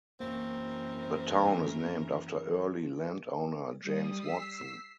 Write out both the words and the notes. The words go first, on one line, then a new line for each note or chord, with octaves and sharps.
The town is named after early landowner James Watson.
F#2 E3 A#3 C4 A#4
G3 D#6
E6 B6 C7